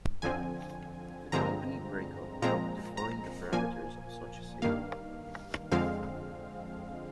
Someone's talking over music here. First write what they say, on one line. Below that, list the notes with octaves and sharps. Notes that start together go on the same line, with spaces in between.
The company breakup helped define the parameters of such a sale.
F2 D3 F3 C4 G#5
G2 D3 F3 G#3 C4 A#5
A#2 F3 G#3 C4 A#5
A#5
A#2 F3 A#3 G#5
G2 D#3 A#3 F5
F2 D3 F3 G#3 C4 F5